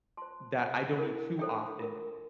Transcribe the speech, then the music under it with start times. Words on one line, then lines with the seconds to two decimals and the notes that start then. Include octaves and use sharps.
that I don't eat too often,
0.17 F4 C5 A5 C6
0.58 F4 C5 G5 A#5
0.98 E4 A#4
1.39 D4 A4 C5 E5 G5
1.79 F4 A#4